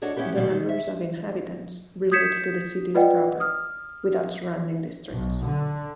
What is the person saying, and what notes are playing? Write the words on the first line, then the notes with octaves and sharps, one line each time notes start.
The numbers of inhabitants relate to the cities proper without surrounding districts.
D4 F#4 A4 C#5 D#5
B3 C#4 D4 E4 G4 B4
D2 B2 D3 G3 A3 C#4
D#3
E5
D#6 G6 G#6 B6 C#7 E7
F4 B4 D5 D#5 F#5 G5
D#6 F6
B1
D3